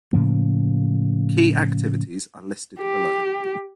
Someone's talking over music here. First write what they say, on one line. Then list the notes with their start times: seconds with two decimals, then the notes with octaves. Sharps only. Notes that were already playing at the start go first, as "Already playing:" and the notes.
Key activities are listed below.
0.13 A2 C#3 F3 A#3
2.80 G4